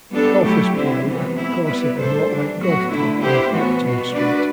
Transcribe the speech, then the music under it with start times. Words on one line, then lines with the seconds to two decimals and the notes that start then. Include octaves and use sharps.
Golfers play at the course of the Mortlake Golf Club on Hopetoun Street.
0.10 G3 B3 D4 A4
0.42 A2 F#3 A3 E4 G4
0.73 D3 G3 C4 E4
1.03 C3 E3 G3 B3
1.34 E3 B3 E4
1.65 G3 B3 E4 B4 D5
1.96 A2 G3 D4 A4 C5
2.27 E3 G3 D4
2.58 A2 F#3 B3 F#4
2.89 D3 A3 E4
3.20 B3 E4 G4 C5
3.50 A2 E3 B3 F#4
3.81 B2 G3 B3 F#4
4.12 A3 D4 F#4 B4 D5